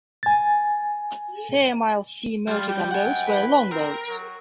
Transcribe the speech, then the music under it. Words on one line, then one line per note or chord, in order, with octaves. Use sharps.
Fairmile C motor gun boats were long boats.
G#5 A6
G3 F4
G5
F#5 G#5
B4
C4 A#4
F#3